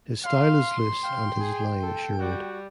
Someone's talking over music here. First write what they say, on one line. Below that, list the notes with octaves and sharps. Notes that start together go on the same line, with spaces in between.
His style is loose and his line assured.
F5 C6
F5 G5
G#4
A4
G3 F#4